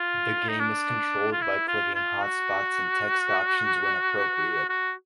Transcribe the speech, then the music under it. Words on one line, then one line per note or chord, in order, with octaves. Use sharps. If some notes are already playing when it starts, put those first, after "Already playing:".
The game is controlled by clicking hotspots and text options when appropriate.
Already playing: F4
D#4
D4
F4
E4
F4
F4
F#4
F#4